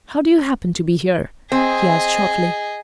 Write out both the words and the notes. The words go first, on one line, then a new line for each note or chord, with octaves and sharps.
"How do you happen to be here?" he asked shortly.
C4 G#4 D#5